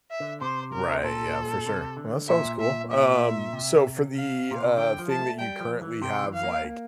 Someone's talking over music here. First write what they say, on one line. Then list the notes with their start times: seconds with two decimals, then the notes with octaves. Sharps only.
Right, yeah, for sure. Well, that sounds cool, um, so for the, uh, thing that you currently have, like,
0.11 E5
0.20 D3
0.41 C3 C5
0.72 A#4
1.03 A#2 A4
1.66 C3
1.97 D3
2.28 A#2 E5
2.59 E5
2.91 E5
3.53 C3
4.16 F5
4.51 A#2
4.64 C3
4.77 D3 G5
4.99 F3
5.09 A5
5.19 A3
5.39 G3 G5
5.60 F3
5.81 E3
6.02 C3 G5
6.23 E3
6.34 F5
6.43 A#3
6.64 A#3